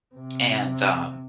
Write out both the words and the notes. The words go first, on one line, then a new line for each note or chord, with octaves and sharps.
And, um
C3